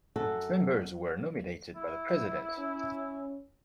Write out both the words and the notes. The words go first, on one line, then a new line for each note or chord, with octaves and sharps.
Its members were nominated by the president.
F#2 F#4 A4
E4
C#4